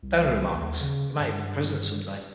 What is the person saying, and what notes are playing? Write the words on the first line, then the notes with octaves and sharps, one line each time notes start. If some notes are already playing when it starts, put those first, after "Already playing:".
Daniel remarks, He might even be President someday.
C2
D#2
C#3
G2